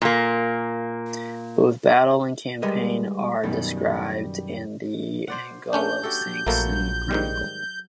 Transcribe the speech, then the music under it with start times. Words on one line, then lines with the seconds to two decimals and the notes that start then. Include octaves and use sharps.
Both battle and campaign are described in the "Anglo-Saxon Chronicle".
0.02 A#2 A#3
2.62 G3 G#3 A#4 B4 D#5
3.43 F#2 B2 D#3 G3
5.28 C5 D5 F#5
5.73 A3 C#4 D4 G6
6.03 F#4 G4 A4
6.47 A#1 F#3 A3 A#3 A4 B4
7.11 G#2 D#3 G3